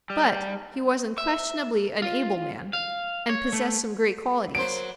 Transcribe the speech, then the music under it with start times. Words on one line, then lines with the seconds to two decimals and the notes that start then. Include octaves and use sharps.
But he was unquestionably an able man, and possessed some great qualities.
0.10 G3
1.18 E5
2.02 F4
2.73 F5
3.29 C#5
3.53 A3
4.55 F#3 A#3 C5 D7